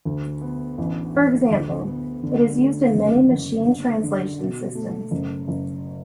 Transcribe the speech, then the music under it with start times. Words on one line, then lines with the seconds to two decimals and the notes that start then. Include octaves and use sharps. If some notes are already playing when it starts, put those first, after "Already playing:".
For example, it is used in many machine translation systems.
0.05 D2
0.41 B3
0.78 A1
1.14 A1
1.51 D2
1.86 B3
2.23 D3
2.59 A3
2.94 F#1
3.31 F#1
3.67 D3
4.04 D3
4.39 B2
4.75 A3
5.11 F#1
5.48 F#1